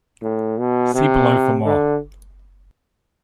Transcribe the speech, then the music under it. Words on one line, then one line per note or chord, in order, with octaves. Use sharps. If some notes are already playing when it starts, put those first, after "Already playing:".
See below for more.
A2
B2
C3
D3